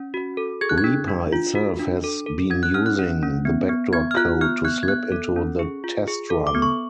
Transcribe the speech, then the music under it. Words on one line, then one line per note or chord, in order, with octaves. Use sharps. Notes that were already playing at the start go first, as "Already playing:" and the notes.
Reaper itself has been using the backdoor code to slip into the test run.
Already playing: C#4
F#4
A4
G#4 G#6
F#6
G#6
D4
D4
F4
F#4
D4
A4
A4
C#4 G#6
F#6
C#4 F6
F#6
C#4
C#4
B3
B3
B3 G#6
F6
F4 F#6
B3 F6
B3 F#6
G#6
B3 F#6
A4
C#4
G#4
F4
G#4
A4
D6
B3
C#6